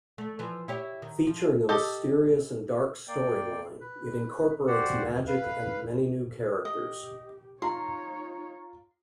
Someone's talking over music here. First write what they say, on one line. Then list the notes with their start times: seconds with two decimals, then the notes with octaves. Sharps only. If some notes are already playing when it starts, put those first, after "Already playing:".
Featuring a mysterious and dark storyline, it incorporates magic and many new characters.
0.18 A3
0.39 E3 F3
0.68 E4 G4 C#5
1.02 D#3
1.27 F3
1.69 G4 A4 D#5
3.08 A#3 D5 G5
3.81 B4
4.67 F#4 G4 C5 D5 F#5
5.27 B4 F5
6.65 G4 D#5
7.62 D#4 F4 C#5 A#5 C6